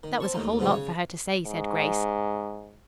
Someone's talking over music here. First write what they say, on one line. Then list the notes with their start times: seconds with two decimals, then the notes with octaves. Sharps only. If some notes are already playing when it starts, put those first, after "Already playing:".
"That was a whole lot for her to say," said Grace.
0.03 D#3
0.20 C4 A5 C#6
0.34 D#2 A2 D#4
0.59 G#2 B2 D3 F3 G3 C4
0.72 C#3 C#5
1.46 G#2